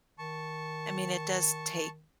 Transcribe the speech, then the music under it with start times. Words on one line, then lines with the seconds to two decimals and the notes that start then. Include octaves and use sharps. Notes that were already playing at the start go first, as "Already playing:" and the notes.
I mean, it does take
0.18 D#3 A5 C#6